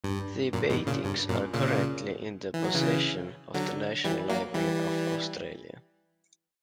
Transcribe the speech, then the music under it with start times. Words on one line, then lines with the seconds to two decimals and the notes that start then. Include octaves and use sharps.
The paintings are currently in the possession of the National Library of Australia.
0.04 G2
0.53 F#2 A#2
0.70 G2 B2
0.86 A#2 C#3
1.04 G2
1.29 F#2 A#2
1.54 A#2 C#3
2.54 E3
2.64 F#3
2.74 C#3 E3
3.54 D3 F#3
4.04 E3 G3
4.29 F#3 A#3
4.54 E3 G3